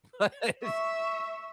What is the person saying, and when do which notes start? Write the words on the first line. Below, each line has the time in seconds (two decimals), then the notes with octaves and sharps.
but it is
0.63 E5 C#6